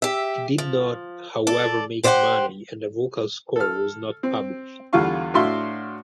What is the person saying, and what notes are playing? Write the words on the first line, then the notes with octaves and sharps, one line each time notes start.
It did not however make money and the vocal score was not published.
G4 E5
F3
A4 D5
G4 C5 D5 E5 F#5 G5
A4 F6
C4
E2 D3 G3 F4 F5 C#6
A2 D4 F#4 E5 F5 C6